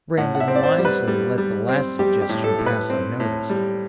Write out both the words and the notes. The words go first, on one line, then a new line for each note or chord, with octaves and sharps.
Brandon wisely let the last suggestion pass unnoticed.
A2 F#5
F#5
E5
C4
D5
C5
G3
B4
G3
G3
C4
G3 G4
G4
A2
A4
A2
B4
C4
A2
G3